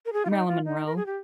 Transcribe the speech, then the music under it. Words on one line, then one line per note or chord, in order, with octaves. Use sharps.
Marilyn Monroe.
A#4
G#4
F4
D#4
F4
D#4
A#4
G#4
G4